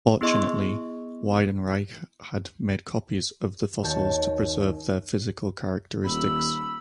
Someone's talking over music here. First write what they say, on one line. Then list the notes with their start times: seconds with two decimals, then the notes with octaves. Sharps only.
Fortunately, Weidenreich had made copies of the fossils to preserve their physical characteristics.
0.21 B3 E4 G#4 D#5 C6 C#6
3.83 D#2 F#4 C#5 A5 G6
6.04 D#1 B5 E6